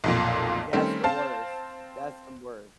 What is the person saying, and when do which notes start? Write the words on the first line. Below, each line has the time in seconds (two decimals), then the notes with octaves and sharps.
That's the worst. That's the worst.
0.04 B1 F2 A#2
0.73 D#3 G3 A3 C4 C#4
1.03 C4 C5 F5 A5